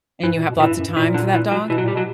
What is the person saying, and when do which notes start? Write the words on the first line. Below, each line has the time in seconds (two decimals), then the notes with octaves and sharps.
And you have lots of time for that dog?
0.23 G2 E3
0.35 A#2
0.48 B2
0.56 G2
0.60 A#2 E3
0.69 G2
0.78 F#2
0.87 G2
0.96 A#2 E3
1.14 D3
1.33 E3
1.52 F#3
1.69 B2 E3
1.78 F#3
1.82 A#2
1.88 G3
1.93 B2
1.97 F#3